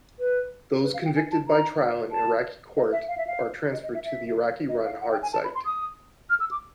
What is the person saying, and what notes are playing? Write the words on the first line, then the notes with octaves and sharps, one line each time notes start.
Those convicted by trial in Iraqi court are transferred to the Iraqi-run Hard Site.
B4
B4
F5
G5
G#5
A5
A#5
A5
D#5
E5
F5
E5
F5
D#5
D#5
E5
E5
D#5
F5
F#5
G5
G#5
A5
B5
C6
D#6
F6
E6
D6